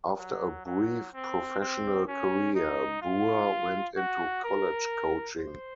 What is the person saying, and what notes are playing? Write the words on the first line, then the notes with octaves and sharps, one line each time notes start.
After a brief professional career, Brewer went into college coaching.
F#3
F#3
C4
C4
C#4
D#4
F4
F#4
A#4
C5